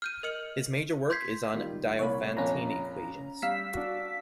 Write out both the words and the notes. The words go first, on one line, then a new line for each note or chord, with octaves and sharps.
His major work is on Diophantine equations.
F6 G6 D#7
A#4 D#5 F6 C#7 F#7
C6 G6 G#6 B6 C7
D#3 G3 F4
C2 A#2 C#5 B5
A#1 F2 A#3 C#4 A#5
G3 F5 E6 B6
D4 F#4